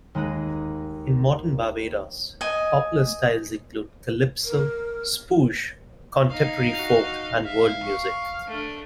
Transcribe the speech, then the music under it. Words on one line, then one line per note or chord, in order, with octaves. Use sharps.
In modern Barbados, popular styles include calypso, spouge, contemporary folk and world music.
D#2 G#3 A#3 A#5 F#6 D#7
D#5 G#5
A#4
D#4 F5
F#4
E5 F5
C#6
A3 D4